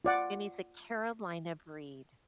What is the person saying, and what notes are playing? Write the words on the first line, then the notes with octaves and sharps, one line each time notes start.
and he's a Carolina breed.
F4 D5 F#5